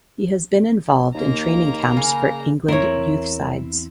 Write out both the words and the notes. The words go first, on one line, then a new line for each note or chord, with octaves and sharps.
He has been involved in training camps for England youth sides.
D#2 A#3 A#5
C#3 F5 G#5
E2 C4 E4 A#4 C#5